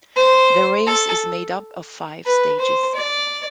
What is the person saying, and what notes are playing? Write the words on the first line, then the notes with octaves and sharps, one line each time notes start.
The race is made up of five stages.
C5
A4
B4
C5
D5